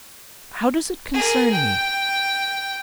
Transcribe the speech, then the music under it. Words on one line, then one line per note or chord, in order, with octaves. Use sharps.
How does it concern me?
G#4 A#4
G5